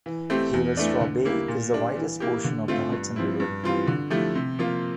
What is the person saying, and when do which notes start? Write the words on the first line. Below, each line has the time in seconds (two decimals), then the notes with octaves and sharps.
Haverstraw Bay is the widest portion of the Hudson River.
0.06 E3
0.30 A3 C4 G4
0.53 E2
0.77 E3 A3 D4
1.01 D3
1.25 G3 A#3 E4 G4
1.48 A#2
1.73 G3 D4
1.96 E3
2.20 A#3 E4 G4
2.44 D3
2.68 A3 C4 F4
2.92 G2
3.16 F3 C4 E4
3.40 G2
3.63 E3 G3 C4 F4
3.87 D3
4.10 F3 A3 E4 G4
4.35 C3
4.59 F3 A#3 F4